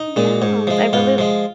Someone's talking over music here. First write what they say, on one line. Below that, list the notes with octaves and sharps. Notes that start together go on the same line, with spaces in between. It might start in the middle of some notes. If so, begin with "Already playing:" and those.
Yeah. I really l
Already playing: D#4
A#2 G#3
G#2
F3 G#3
G#2 F4
F3 G#3